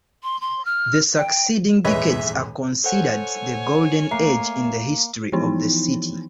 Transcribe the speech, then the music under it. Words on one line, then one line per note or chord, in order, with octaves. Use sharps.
The succeeding decades are considered the golden age in the history of the city.
C6
C6
F6
G5
D#1 E2 G#2 B4 C#5 D#5 E5
A4 C5 C#5 F#5 G#5
A3 A#3 C7
E3 F3 B3 D#4 E4